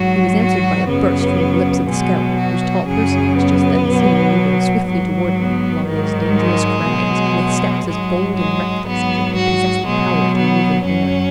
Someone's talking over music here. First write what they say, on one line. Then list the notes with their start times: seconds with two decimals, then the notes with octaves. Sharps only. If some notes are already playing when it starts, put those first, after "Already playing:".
He was answered by a burst from the lips of the scout, whose tall person was just then seen moving swiftly toward him, along those dangerous crags, with steps as bold and reckless as if he possessed the power to move in air.
Already playing: G#2 F#3 F#4
0.39 F#4
0.89 F#2 C#3 F#3 B3
1.88 B2 F#3 G#3
2.38 F#4
2.88 F#2 C#3 F#3 G#4
3.38 B3
3.88 B2 F#3
4.87 G#2 F#3
5.37 B3
5.87 G#2 D#3 F#3
6.37 G#3
6.87 B2 F#3
7.86 G#2 F#3 G#3
8.37 G#3
8.86 G#2 F#3 B3
9.36 F#4
9.86 B2 F#3 G#3
10.36 B3
10.86 F#2 F#3 C#4